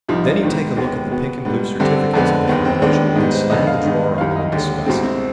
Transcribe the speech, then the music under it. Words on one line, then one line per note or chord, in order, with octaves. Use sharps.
Then he'd take a look at the pink and blue certificates of the Corona Jewel and slam the drawer on them in disgust.
C2 C3 F3 D#4
D4
G#2 D#3 B3
D#2 D#3 G#3 B3
B2 B3
G#2 G3 B3
G2 D3 G3 C4
F2 D3 G#3 B3
D#2 D#3 B3
C4
D#2 D#3 G#3 B3 D4
G#2 G3 B3 D#4
C5
F2 D3 G#3 B3 D#5
F5
G#2 D#3 B3 D#5
C2 C3 D#3 F5
D#5
D#2 D3 G#3 G4
C2 B2 G#3 C4
C4